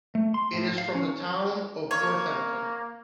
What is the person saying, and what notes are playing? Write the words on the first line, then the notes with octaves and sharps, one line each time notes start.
It is from the town of Northampton.
A3
C6
A2
F5
C#4
A#3 C#5